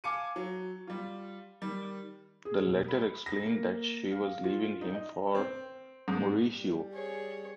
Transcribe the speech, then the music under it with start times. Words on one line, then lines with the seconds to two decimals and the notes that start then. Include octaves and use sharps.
The letter explained that she was leaving him for Mauricio.
0.04 F5 G#5 A5 D6 C#7 D#7
0.36 F#3
0.87 G3 F4
1.62 D#3 G3
2.45 G#4
2.67 E1
2.88 B5
3.26 A#6
3.45 A#3
4.11 F5
4.44 F4
4.81 D#4
4.95 D#5
5.35 C4
6.08 G#2
6.52 G3
6.93 G#4 C#5